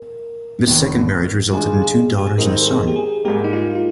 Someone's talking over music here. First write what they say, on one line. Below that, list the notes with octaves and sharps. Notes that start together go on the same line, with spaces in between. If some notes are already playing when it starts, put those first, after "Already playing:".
This second marriage resulted in two daughters and a son.
Already playing: A#4
F1 D#2 D#3
G2 D#3 G#3 D4 F4 G#4
G#4
G#4
G4
G#4
G#2 D#3 G3 C4 D#4 A#4
A#4
G#4
G4
G#4
G#2 G3 A#3 G4
D#4
F4
F4